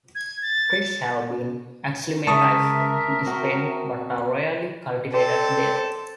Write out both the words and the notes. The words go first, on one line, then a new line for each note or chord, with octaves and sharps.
Trees have been acclimatized in Spain but are rarely cultivated there.
G#6
A6
C#2 C#3 A#4 E5 A5 C#6 D#6
C4 F#4
C4 A4 C5 D5